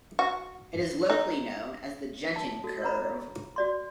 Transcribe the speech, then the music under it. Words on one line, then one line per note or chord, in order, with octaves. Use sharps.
It is locally known as the Genting Curve.
F#4
D#4
A5
F#4 A4
C#5 F#5 A#5 B5
F#4 D5 C6